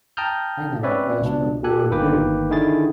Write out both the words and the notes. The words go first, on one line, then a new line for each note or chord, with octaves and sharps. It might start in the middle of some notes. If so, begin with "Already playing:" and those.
I never touched the poor brute.
G5 A5 A#5 D#6 F6 G6
C4 C#4 B4 C#5 D5 E5
C#2 B2 D4
G4 A4 G#5 F#6
G1 D#3 A#3 B4 G5 D6
D3 D#3 E4 G#4 A6